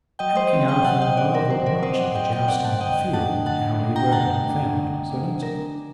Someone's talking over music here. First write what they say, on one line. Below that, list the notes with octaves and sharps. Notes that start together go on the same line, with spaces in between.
How King Arthur marvelled much of the jousting in the field, and how he rode and found Sir Launcelot.
F#3 D#5 G5
C5 D#5
C4
D#5 G5
F#3 F#5 A5
D#5 G5
C4 D5 F#5
A#4 D5
F#3 C5
A#4 D5
C4 C5 D#5
D5 F#5
F#3 D#5 G5
D#5 G5
C4 D5 F#5
F#5 A5
F#5
D3 D#5 G5
A3 D4 F#5 A5
D3 F#5 A5
A3 D4
G5 A#5
D3 F#5 A5
A3 D4
D3
A3 D4
D3 A#4
D4